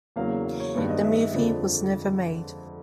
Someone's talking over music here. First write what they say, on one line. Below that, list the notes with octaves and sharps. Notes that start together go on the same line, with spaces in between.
The movie was never made.
E2 C#3 F#3 A#3 F5
F5
C#5
G2 D#3 G#3 B3 D5
D#5
E5
D#5
F2 D3 F3 G#3 D5